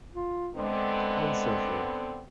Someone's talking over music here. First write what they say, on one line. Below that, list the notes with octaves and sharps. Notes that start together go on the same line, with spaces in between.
And so forth.
F4
D3 G#3 B3 C4